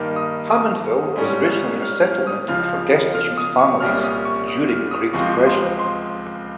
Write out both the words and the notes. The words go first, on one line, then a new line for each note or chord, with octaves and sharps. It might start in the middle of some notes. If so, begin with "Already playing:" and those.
Hammondville was originally a settlement for destitute families during the Great Depression.
Already playing: G2 D#3 A#3 D#4 F6
D#6
D#6
G#2 G3 C#4
F6
F6
D#6
C#2 C#3 F3 F6
F6
D#6
C#6
C2 A#2 G3 C#4 F6
D#6
C#6
D#6
F6
D#6
C#2 C#3 F3 G#3 C4 C#6
C6
C6